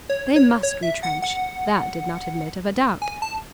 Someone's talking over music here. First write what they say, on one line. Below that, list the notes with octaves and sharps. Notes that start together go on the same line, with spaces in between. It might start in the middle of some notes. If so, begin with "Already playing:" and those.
They must retrench; that did not admit of a doubt.
C#5
C#5
C#5
E5
F#5
F#5
G#5
A5